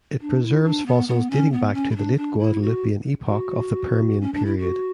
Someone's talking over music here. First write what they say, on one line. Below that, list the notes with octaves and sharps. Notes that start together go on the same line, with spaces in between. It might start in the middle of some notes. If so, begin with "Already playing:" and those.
It preserves fossils dating back to the late Guadalupian Epoch of the Permian period.
D4
E4
D4
B3
B3
C#4
B3
C#4
E4
D4
D4
E4
F#4
F#4
C#4
D4
E4
F#4